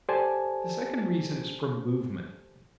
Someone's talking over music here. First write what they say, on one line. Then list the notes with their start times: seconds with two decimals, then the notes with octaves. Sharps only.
The second reason is from movement.
0.09 G4 A4 C5 D5 G#5 A5